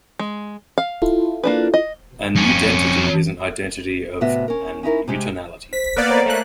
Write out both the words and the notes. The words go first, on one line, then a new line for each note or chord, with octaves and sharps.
"An udentity is an identity of an utonality".
G#3
F5
E4 F4 A4
A#3 D4 B4
D#5
F2 C#4
A2 C3 B3 F#4 E5
C#4 A#4
C#4 D#4 E4 A#4
C3 G#3 G4
C5 B6
A#3 B3 D5 F5 F#6
C5 C#5 A#5
A3 A#3 F#6